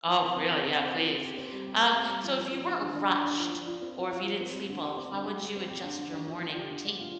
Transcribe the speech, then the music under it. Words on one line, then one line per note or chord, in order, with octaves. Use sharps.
Oh, really? Yeah, please. Um, so if you weren't rushed or if you didn't sleep well, how would you adjust your morning routine?
F3
C4
C4
C4
C4
C4
F3
C4
G4
C4
G3
G4
C4
G4
G3
F3
F3
F3
D4
D3
D4
D3
D4
F3
F3
F4
C4
F4
F4
F3
C4
G3
D3
G4
C4
D3
G3
G3
C4
G4
D3
D3
D4
F3
F3
G4
D3
D4
F4